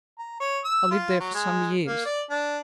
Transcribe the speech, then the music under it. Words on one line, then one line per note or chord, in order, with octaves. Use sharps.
I lived there for some years.
A#5
C#5
E6
F4
F#3
G#3
A#3
D5
D4